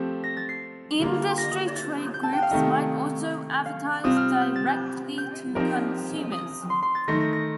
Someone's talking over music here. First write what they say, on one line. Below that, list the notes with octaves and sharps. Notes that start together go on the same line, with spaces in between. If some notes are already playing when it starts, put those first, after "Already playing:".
Industry trade groups might also advertise directly to consumers.
Already playing: F3 A3 C4 G4
A#6
A6
C7
D3 G3 A#3 F4
A#6
A#6
A6
G6
A5
G5
F5
C3 D#3 A3 D#4
F5
C3 G3 C4 F4 D#6
F6
G6
A6
G6
G6
F3 C4 D#4 G4 A#4
D#6
C6
C6
A6
D#3 A3 D#4 A#6
A#6
A#6